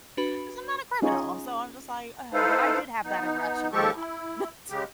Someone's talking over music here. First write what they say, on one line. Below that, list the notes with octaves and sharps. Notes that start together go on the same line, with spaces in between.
'cause I'm not a criminal and so I'm just like, "Ugh," but I did have that irrational thought. That
D4 F#4 B4 B5
C#4 D#4 F4 G#4 C#5
D#4 E4 A4 B4 C5 F5
B3 D#4
D#2 F3 G#3 G4 A4 C#6
E4
C#3 G#3 G4